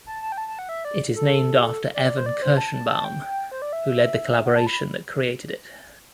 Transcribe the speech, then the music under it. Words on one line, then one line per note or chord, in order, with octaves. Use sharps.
It is named after Evan Kirshenbaum, who led the collaboration that created it.
A5
A5
G5
A5
A5
F#5
E5
D5
A4
G4
A4
D5
C5
D5
C5
A5
A5
A5
G5
C5
D5
E5
F#5
A5
B5